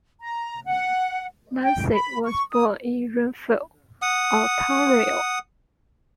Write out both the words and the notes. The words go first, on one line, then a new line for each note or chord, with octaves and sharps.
Lindsay was born in Renfrew, Ontario.
A#5
F#5
G5
B5
C#6
D#6
F#5 D#6